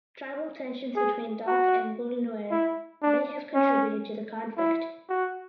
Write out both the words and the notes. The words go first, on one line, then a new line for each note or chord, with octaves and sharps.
Tribal tensions between Dok and Bul Nuer may have contributed to the conflict.
G#4
F#4
E4
D4
C#4
E4
F#4